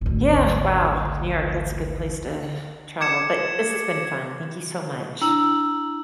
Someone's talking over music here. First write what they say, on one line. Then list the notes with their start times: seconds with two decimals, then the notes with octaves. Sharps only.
Yeah, wow, New York, that's a good place to travel, but this has been fun, thank you so much.
0.01 G#1 D2
3.00 D6 G#6 C#7 E7
5.21 D4 E4 A#5 E6 F#7